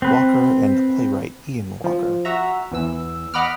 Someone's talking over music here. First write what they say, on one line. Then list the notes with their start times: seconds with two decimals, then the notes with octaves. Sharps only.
Walker and the playwright Ian Walker.
0.02 C4 B4
1.84 F3
2.25 F#4 E5 A#5
2.72 E2 E3 E6
3.34 D#5 F#5 B5 D6 F6